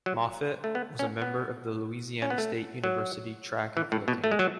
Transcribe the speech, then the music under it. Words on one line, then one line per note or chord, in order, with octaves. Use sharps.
Moffitt was a member of the Louisiana State University track and field team.
F#3
A3
B3
C#4
B3
C#4
B3
A3
F#3
E3
A2
B2
A3
G#3
F#3